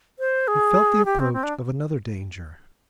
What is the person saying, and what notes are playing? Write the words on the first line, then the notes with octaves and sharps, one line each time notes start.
He felt the approach of another danger.
C5
G#4
G4
C4
C4
D4